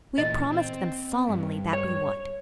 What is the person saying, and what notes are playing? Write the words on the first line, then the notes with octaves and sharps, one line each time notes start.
We have promised them solemnly that we would.
A#2 E3 D#5
C4
G2
C#5